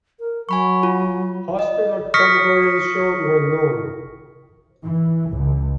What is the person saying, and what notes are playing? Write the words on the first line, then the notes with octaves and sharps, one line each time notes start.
Hospital category is shown when known.
A#4
F#3 G#5 B5 C#6
F4
D#5
C#6 D#6 F6 A#6 B6 C#7
E3
C#2